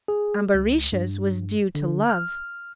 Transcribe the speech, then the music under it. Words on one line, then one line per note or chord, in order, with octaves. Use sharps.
Ambarisha's was due to love.
G#4
C#2
G2
D3
F6